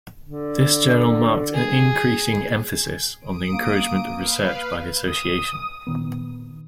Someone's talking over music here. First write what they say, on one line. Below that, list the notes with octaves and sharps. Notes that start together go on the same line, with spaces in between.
This journal marked an increasing emphasis on the encouragement of research by the Association.
D3
G#4
D#6 D7
A#3
B4 F5
D#6
A#2 D#3 B3